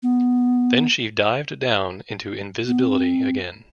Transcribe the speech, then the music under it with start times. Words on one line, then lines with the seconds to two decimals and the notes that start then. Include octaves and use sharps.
Then she dived down into invisibility again.
0.03 B3
2.68 B3
2.80 C4